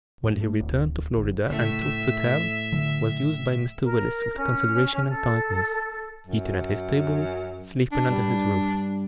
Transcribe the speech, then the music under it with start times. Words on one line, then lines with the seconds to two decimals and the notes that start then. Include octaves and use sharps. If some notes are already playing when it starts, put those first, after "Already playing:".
Well, he returned to Florida, and, truth to tell, was used by Mr. Willis with consideration and kindness, eating at his table, sleeping under his roof.
0.24 A2
0.40 A3
0.60 D1
1.17 G1
1.51 A2 C#3 A3 E5
2.72 D3 F3 F#3
3.83 A#4
4.37 C#4
5.09 A4
6.27 F#2
7.92 D4
8.09 G2 G3